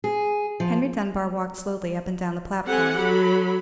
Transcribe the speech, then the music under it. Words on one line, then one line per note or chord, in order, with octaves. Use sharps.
Henry Dunbar walked slowly up and down the platform.
G#4
F3
C4 G4 A4 F#5 G#5
F#3 A4 B5